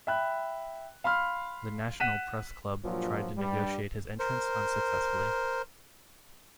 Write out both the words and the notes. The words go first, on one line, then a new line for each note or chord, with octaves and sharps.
The National Press Club tried to negotiate his entrance unsuccessfully.
E5 G5 B5 F#6
F5 B5 C6 F6
F#5 F#6 B6 D#7 E7
G2 A#2 F3 F#3
G2 G3
A#4 C5